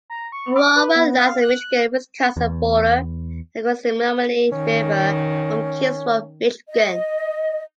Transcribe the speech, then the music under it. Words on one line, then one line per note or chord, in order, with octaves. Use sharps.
Aurora lies on the Michigan-Wisconsin border, across the Menominee River from Kingsford, Michigan.
A#5
C#6
D6
B4
B3
F5
F#6
E2
D#3 C#4
D#5